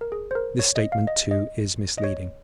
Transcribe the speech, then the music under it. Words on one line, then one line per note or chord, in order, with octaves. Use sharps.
This statement, too, is misleading.
A#4
G#4
C5
A#4
C#5
D#5
F5
D#5
D#5
D#5
C#5